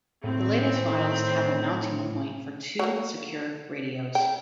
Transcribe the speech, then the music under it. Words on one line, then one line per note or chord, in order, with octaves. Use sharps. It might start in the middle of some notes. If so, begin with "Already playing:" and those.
The latest models have a mounting point for two secure radios.
A2 D#3 C4
F#3 A#3
G5